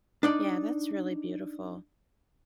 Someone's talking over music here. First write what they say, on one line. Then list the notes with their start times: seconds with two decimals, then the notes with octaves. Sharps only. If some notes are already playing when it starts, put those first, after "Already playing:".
Yeah, that's really beautiful.
0.23 D4 D#4 D5